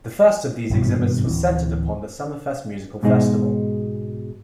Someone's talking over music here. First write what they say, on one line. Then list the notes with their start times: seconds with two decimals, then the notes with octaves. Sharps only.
The first of these exhibits was centered upon the Summerfest musical festival.
0.70 G#1 G2 B2
1.26 D1 G1 E3 C4
3.03 G#2 B2 G#3 D#4